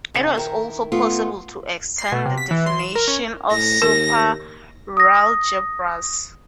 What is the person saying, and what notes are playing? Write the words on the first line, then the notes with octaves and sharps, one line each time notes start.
It is also possible to extend the definition to superalgebras.
C#3 C4
D#3 E4 A#4
D#2 A3 B3 F4
C7
B2
C3
B6
E3
C6
E7
A#4
C#4
A2 A#6
D#2 A#4
D#6 A#6